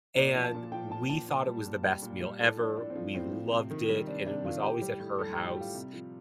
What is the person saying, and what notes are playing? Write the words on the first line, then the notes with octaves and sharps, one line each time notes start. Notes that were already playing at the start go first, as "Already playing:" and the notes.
and we thought it was the best meal ever, we loved it, and it was always at her house,
A#2 D5
F3
A5
A#2
F3 G5
A#2 A5
F3 A5
A#2
G3
A#2
G3 G5
A#2
G3
A2 A4
F3 D4
A2 D4
C4
F3
A2 C4
F3
C3
D#3
G3
C3 D4
C3 D4
D#3 F4
A2 G4
G3
A2
G3 A4
A2 G4
G4
G3 F4
C3
F3